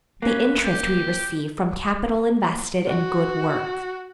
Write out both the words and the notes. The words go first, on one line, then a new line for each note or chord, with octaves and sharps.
The interest we receive from capital invested in good works.
A#3 C#4 B4
G4
F#4